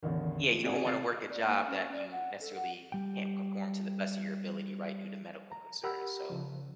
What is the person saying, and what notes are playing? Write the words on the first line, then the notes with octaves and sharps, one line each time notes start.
Yeah, you don't wanna work a job that you necessarily can't perform to the best of your ability, right, due to medical concerns, so,
A1 E2 D3 D#3
F3
C4 F#4 G#4 D5
C3 F5 A6 C7
D5
A#3
C#4
D5
F#5
A4
F#5
G3 G5
A#5
G4 A#4 F#5 B5 E6
C#3 F3